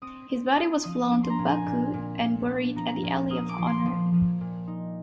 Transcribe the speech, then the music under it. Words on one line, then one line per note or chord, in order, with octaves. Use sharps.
His body was flown to Baku and buried at the Alley of Honor.
C4 D#6
C4
C4 D#6
F3 D#6
D4
C6
A#5
A#2
G#5
A#2
A#2
A#2
D4
F3 A#5
A#2
A#3 D#6
D6
F3
C6
F3
F3
A#2
D#4